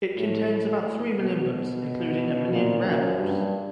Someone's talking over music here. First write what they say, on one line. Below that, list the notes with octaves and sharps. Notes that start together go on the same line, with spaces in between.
It contains about three million books, including a million rare books.
A2
B2
A#2
F#2
G2